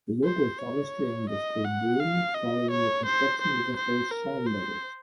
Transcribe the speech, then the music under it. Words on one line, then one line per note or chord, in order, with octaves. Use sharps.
The local forestry industry boomed following the construction of the first sawmills.
C5
C#5
D#5
F#5
F5
D#5
C#5
C5
C5
C5
A#4
C5